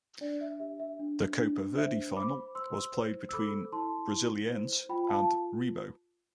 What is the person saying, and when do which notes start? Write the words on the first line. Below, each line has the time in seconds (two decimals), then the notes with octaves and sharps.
The Copa Verde final was played between Brasiliense and Remo.
0.21 D4 D5
0.41 E5
0.60 G4 E5
0.80 E5
1.00 D4
1.38 D4
1.77 C5 E5
2.16 C5 B5 D6
2.55 C5 C6 E6
2.94 C5
3.29 E6
3.33 A4 B5 D6
3.72 E4 A5 C6
4.11 E4
4.50 C5
4.89 F4 G5 B5
5.09 F5 A5
5.19 A5